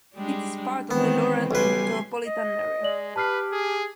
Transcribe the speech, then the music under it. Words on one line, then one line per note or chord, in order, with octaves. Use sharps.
It is part of the Laurel micropolitan area.
G3 G#3 D4
D#3 E3 G#3 B3 C4
B1 C#3 G3 B4 G#5 C6
D#5
G#3 D5 F#7
G4 B4 A5 F6 C7
G#4